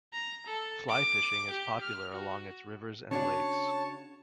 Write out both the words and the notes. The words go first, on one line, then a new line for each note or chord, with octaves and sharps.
Fly fishing is popular along its rivers and lakes.
A#5
A4
D6
G4
F6
F#4
C#3 D4 F#4 C#5 A5